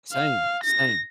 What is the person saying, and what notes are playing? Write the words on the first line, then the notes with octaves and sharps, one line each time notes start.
Same, same.
F5
A#6